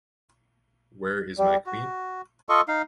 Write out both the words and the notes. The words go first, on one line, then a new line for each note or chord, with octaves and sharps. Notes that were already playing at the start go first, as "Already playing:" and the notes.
Where is my queen?
G3
F#4
F4 A4 D#5 C#6
D#4 F5